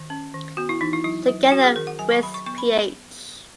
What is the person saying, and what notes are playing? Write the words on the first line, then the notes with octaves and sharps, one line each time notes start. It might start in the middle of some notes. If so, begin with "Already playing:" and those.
Together with Ph.
Already playing: D#3
C#4
D#3
B3 F#4
E4
E3 D#4
E4
F#3 E4
F#3
C#4 F#4
G#4
D#3 A#4
F#5
F#3 G#5
C#6
F#3 B5
C#6
B3 C#6
B5